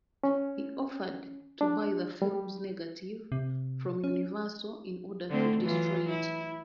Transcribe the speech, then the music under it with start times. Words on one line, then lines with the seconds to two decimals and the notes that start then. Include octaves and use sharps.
He offered to buy the film's negative from Universal in order to destroy it.
0.24 C#4
1.61 D4
2.22 G3
3.32 C3
4.04 C#4
5.30 D3 A3 C4
5.61 E3 F#3 F4
6.09 E4